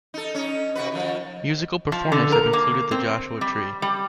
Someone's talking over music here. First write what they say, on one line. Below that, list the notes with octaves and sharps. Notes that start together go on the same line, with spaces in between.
Musical performers have included The Joshua Tree.
D#4 A4
C#4 D#4
C3 F#4 B4
D#3 F3
F3
D3
A#4
A#3
C4
G3
G3